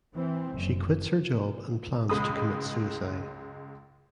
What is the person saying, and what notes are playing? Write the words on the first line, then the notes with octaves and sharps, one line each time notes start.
She quits her job and plans to commit suicide.
E3 C4
F#1
C#2 G#3 B5 D#6